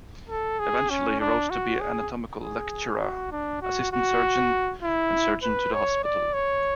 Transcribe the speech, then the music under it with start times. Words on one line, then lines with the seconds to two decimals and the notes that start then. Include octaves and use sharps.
Eventually he rose to be anatomical lecturer, assistant-surgeon and surgeon to the hospital.
0.30 A4
0.59 G#4
0.90 C#4
1.20 D4
1.50 F#4
1.81 G#4
2.41 G#4
3.01 F#4
3.32 D4
3.62 F#4
3.93 F#4
4.83 E4
5.43 B4
5.73 C#5
6.04 D5
6.34 C#5